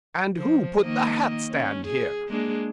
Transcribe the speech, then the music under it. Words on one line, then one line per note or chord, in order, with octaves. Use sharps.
"And who put the hat-stand here?"
F3
D#3 A#3 D#5
C#4
G#4
G#3 A#3 D4